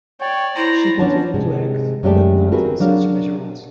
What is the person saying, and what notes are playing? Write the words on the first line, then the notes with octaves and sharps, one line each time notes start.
She continued to act but not in such major roles.
C#5 D5 G5
E4 C5 A#5
B3 C#4 D4 C#5 F#5 A5
G#2 C3 G#3
F#2 G#3 A3 G4 D5 A5
C4 F#4 G#4 A#4 B4
F#3 D4 A#4 F5